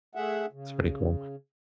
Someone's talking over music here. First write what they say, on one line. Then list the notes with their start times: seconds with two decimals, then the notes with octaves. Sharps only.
It's pretty cool.
0.15 A3 G#4 E5 F#5
0.52 C#3